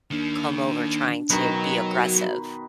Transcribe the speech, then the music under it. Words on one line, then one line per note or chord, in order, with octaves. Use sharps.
come over trying to be aggressive.
D#3 A#3 D4
B2 D#3 F#3
F#4